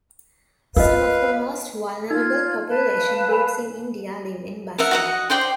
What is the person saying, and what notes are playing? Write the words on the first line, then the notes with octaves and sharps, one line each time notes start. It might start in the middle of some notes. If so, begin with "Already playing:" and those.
Some of the most vulnerable population groups in India live in Bastar.
F4 A#4 B4 D#5 F5
D#4 F4 E6 G#6
B4 F5 A5
A#4 G#5 B5
A#4 E5 F#5
F#4 D#5 F#5
C5 D5 G5 C6